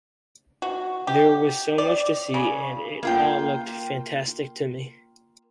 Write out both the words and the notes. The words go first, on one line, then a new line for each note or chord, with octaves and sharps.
There was so much to see, and it all looked fantastic to me.
F#4
G4
D5
C#3
A#3 F4 G5